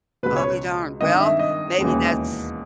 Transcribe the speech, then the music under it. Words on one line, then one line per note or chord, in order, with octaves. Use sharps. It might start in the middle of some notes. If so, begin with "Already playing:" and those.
I'll be darned. Well, maybe that's
C#2 B2 B4
C#5
G#1 G2 D#3 D#5
E5
D#5
E1 D#2 C#3 E3